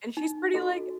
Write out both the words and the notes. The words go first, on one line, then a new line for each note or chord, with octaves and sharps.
and she's pretty like
D#4
F#4 A4 D#5